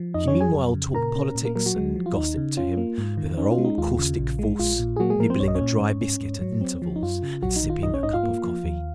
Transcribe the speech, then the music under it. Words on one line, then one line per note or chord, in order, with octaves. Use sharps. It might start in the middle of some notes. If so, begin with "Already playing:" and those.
She meanwhile talked politics and gossip to him, with her old, caustic force, nibbling a dry biscuit at intervals and sipping a cup of coffee.
Already playing: F3
F2 D#4 D#5
C#4 C#5
F#3
G#4 G#5
F2
C#3
A#2 A#4 A#5
C#4
A#2
A#3 A#4
F#3 A#3 A#4
F#3 F#4
G#3
F3
F4
D#2 D#4
C#3
C#4 F4
A#3
G#2
D#3
C#4 D#4
F4
G#3
D#4
D#2 F4
C#3
A#1
G#3
A#1 F4
A#2
G#4
F#3 A#3 F#4
G#3 G#4
F3 A#3 A#4
C4 C5
A#1 C#5
D#5
C#4 C#5
A#2
G#2
C#4
G#2
F#3
C4
F3
D#4
F#2 F4
C#3
A#1 F#3 F#4
D#4
D#3
F4
A#1 D#4 D#5
C#4 C#5
G#2 D#4 D#5
F4 F5
A#3
F3
D#2